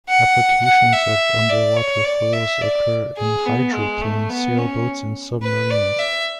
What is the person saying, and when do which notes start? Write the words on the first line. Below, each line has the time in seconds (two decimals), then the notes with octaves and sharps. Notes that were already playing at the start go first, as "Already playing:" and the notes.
Applications of underwater foils occur in hydroplanes, sailboats and submarines.
0.09 F#5
0.65 F#5
0.92 E5
1.49 D5
1.77 C#5
2.04 D5
2.33 E5
2.61 D5
3.17 G#4
3.46 B3
3.73 G#3
4.02 A3
4.30 B3
4.58 C#4
5.42 B4
5.70 D5
5.99 E5